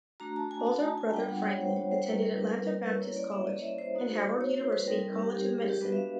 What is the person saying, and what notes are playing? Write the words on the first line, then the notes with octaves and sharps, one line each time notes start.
Older brother Franklin attended Atlanta Baptist College and Howard University College of Medicine.
A3 D4 F#4 A#5
A5
G#5
A5
A5
G#5
G3 B3 D4 F4 G5
F#5
C#5
C5
C#5
C5
G3 A#3 C#4 E4 B4
A#4
B4
A#4
A#4
B4
A#3 C#4 E4 C#5
D5
E5
D#5
E5
C5
A#3 D#4 F#4
C#5
C5
B4
G3 C4 D#4 A#4
A#4
G4
G4
G#4
G#4
G4
G#3 B3 D4 F#4 B4
E5
F5